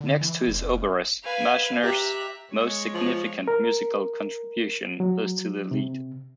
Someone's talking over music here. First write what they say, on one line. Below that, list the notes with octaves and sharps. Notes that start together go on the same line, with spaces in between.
Next to his operas, Marschner's most significant musical contribution is to the Lied.
D3
E3
F1
B4 F5 G#5
G4 E5 A#5 F#6
G#3 C#5
F3
A#4
F#3
C3